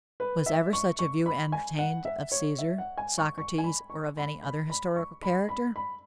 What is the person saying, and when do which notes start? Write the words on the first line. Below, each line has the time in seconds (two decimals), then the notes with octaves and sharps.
Was ever such a view entertained of Caesar, Socrates or of any other historical character?
0.20 B4
0.46 E5
0.73 C#6
0.99 C#6
1.26 B5
1.52 G#5
1.79 F#5
2.05 E5
2.32 C#5
2.59 E5
2.78 F#5
2.98 G#5
3.18 C#6
3.38 C#6
3.58 G#5
3.64 B5
3.90 C#6
4.17 B5
4.43 B5
4.70 B5
4.96 C#6
5.23 B5
5.49 B5
5.76 B5